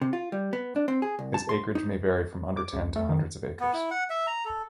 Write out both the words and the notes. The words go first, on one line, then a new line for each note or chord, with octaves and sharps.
His acreage may vary from under ten to hundreds of acres.
C3
F4
G3
B3
D4
C4
G#4
C2
A5
C6
D#4
D6
C#2
A3
D#3
B3
E4
F#5
E5
A#5
A4